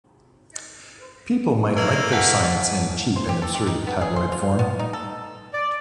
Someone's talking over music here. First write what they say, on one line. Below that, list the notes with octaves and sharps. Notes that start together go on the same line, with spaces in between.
People might like their science in cheap and absurd tabloid form.
E3 A3 A#3 B4 D#5
F#5 G#5 A5
C5
G4
A4
G4
D#4
B3
G#4
C5
F4
B3
D#4
A4
D5